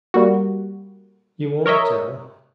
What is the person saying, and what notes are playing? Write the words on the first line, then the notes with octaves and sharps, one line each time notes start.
You won't tell?
G3 A#3 F#4
A#4 C#5 D#5 E5